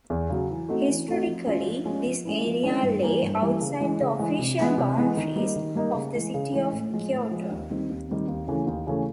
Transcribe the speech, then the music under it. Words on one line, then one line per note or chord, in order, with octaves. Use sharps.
Historically, this area lay outside the official boundaries of the city of Kyoto.
E2
C#3 F#3
E3
A3 C4 D#4 F#4
E3
A3 C4 D#4 F#4
F3
G#3 C#4 F4
F3
G#3 C#4 F4
F3
G#3 C#4 E4
F3
G#3 C#4 E4
G2
E3 G3 A#3
G2
E3 G3 A#3
C#3
E3 G#3
C#3
E3 G#3
C3
E3 G#3 B3
C3
E3 G#3 B3
D#3
G3 A#3 D#4
D#3
G3 A#3 D#4
C#3
E3 G#3
C#3
E3 G#3
A2
F3 G#3
A2
F3 G#3
D#2
D#3 G3 C4
D#2
D#3 G3 C4
D#2
C#3 E3 A3 C#4
D#2
C#3 E3 A3 C#4